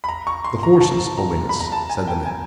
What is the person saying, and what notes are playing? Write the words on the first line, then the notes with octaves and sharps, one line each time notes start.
"The horses, Holiness," said the man.
B5
A#5
C#6
C6
A#5
A5
A#5
B5
A#5
A5
G#5
G5
G#5